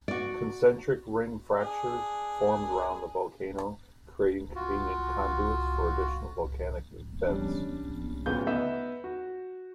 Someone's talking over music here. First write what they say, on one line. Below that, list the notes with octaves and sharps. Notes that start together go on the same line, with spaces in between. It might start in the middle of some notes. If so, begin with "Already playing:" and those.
Concentric ring fractures formed around the volcano, creating convenient conduits for additional volcanic vents.
F#4 D5
D4 G#4
F4 F#4
G3 C#4 D4
D1 C#3 B3 F4 G6
B3 D#4 E5
F#4